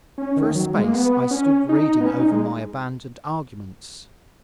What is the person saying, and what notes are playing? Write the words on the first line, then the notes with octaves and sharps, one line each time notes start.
For a space I stood reading over my abandoned arguments.
C#4
D#3
F#3
G#3
A#3
B3
C#4
D#4
B3
C#4
D#4
G#3